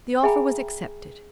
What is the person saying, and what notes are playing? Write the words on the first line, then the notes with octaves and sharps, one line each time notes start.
The offer was accepted.
G#4 E5 G5 G#5 A#5 B5